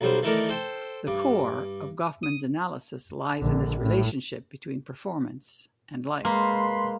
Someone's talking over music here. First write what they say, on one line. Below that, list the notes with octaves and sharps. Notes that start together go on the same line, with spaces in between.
The core of Goffman's analysis lies in this relationship between performance and life.
B1 F#3 G3 C5
D#3 E3 A3 A4 A#4 D5
A4 C5 G5
G2 D6
D#6
A#1 D3
A2
G#3 A#3 B4 B5 C6